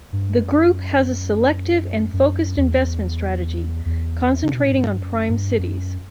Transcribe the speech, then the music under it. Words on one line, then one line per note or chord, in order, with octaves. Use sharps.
The Group has a selective and focused investment strategy, concentrating on prime cities.
G2
F#2
F#2
E2
E2
C#3
B2
A2
G2
F#2
G2
F#2